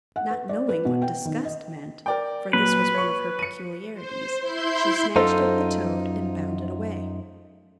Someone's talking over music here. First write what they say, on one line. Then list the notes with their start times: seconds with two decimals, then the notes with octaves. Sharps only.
Not knowing what disgust meant, for this was one of her peculiarities, she snatched up the toad and bounded away.
0.16 F#5
0.30 B4
0.49 D5
0.69 B4
0.85 B2
1.02 G5
1.25 D#3
1.45 D#5
2.06 A#4 D5 G5
2.53 A#2 F#3 B4
2.94 C#5 C#6
3.39 C#7 D#7
3.94 C5
4.39 E4 C6 G6
5.16 F#2 D#4 F4 A4 C5